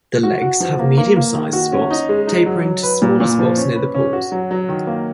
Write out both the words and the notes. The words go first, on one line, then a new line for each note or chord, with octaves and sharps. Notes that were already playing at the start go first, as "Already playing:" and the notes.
The legs have medium-sized spots tapering to smaller spots near the paws.
F#4
F#4
F3
A#3
A#3
A#3
D#3
F#4
C#4
D#4
G#3
D#4
F#3
F#3
B4
A#2
A#2
F3
C#4
B4
C#4
F#4
F#3
F#3
D#3
A#3